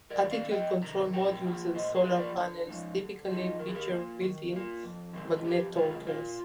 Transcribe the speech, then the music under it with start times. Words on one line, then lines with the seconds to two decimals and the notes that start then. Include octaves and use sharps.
Attitude-control modules and solar panels typically feature built-in magnetorquers.
0.10 A#4 D5
0.21 C3
0.24 D#3
0.30 D5 F5
0.51 F2 D#5 G5
0.82 C3 D#3 A#5
1.13 A#2 G5 A#5
1.44 F3 A#3 F4
1.75 A#2 C5 D#5
1.95 G#4 C5
2.05 F3 A#3 F4
2.16 A#4 D5
2.36 D3
2.67 F3 G#3 D#4
2.98 D3
3.29 F3 G#3 D#4
3.59 D#3 A#4
3.67 G#4
3.75 G4 A#4
3.91 A#3 F4
4.21 D#3
4.53 A#3 F4
4.83 F2
5.13 C3 D#3 G#3 C4
5.45 F2 G4
5.75 C3 D#3 G#3 F4 G#4
6.06 A#2 F4